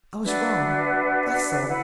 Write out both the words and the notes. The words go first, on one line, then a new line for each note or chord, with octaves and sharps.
I was wrong, that's all.
D4 F#4 B4 E5
E4 B4 F#5 B5